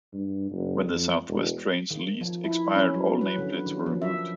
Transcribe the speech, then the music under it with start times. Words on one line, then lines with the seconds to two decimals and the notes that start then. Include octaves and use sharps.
When the South West Trains lease expired all nameplates were removed.
0.13 G2
0.51 F#1
0.85 F2
1.28 E1
1.91 D#3
2.21 F3
2.44 E4
2.76 C#4
2.95 F#3
3.21 B4
3.38 D3
3.66 D#3
3.86 F3
4.02 E5